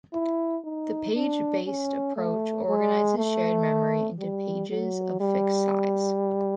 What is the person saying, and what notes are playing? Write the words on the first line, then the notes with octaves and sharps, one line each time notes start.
The page based approach organizes shared memory into pages of fixed size.
E4
D#4
D4
C#4
A3
G#3
A3
G3
F#3
G3